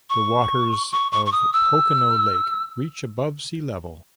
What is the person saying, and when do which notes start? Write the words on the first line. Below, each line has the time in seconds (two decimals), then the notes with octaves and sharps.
The waters of Pocinho lake reach above sea level.
0.10 C#6
0.92 C#6
1.12 C#6
1.26 C#6
1.32 D#6
1.53 E6